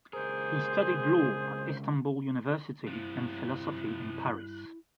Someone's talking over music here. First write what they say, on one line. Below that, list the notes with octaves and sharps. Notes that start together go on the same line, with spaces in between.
He studied law at Istanbul University and philosophy in Paris.
C#2 G#4 A#4 C5
G2 C3 F3 E4 F#6